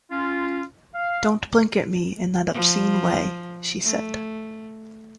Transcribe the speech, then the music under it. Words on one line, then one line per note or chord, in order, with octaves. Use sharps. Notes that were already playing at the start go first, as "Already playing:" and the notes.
"Don't blink at me in that obscene way," she said.
C#4 F4
F5
F3
A3